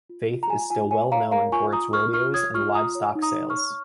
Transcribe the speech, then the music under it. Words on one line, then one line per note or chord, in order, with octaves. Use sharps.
Faith is still well known for its rodeos and livestock sales.
F4
F4
A#5
F4 G#5
F4 G#5
C#5 G#5
C#5 F5 A#5
A#4 F5 A#5
F4 G#5 C#6
F4 A#5 D#6
A#4 C#6 F6
F4 C#6 F6
C#5 D#6 G#6
F4 C#6 F6
F4 A#5 D#6
C#5
D#4
A#5 D#6
C#5
C#6 F6
C#5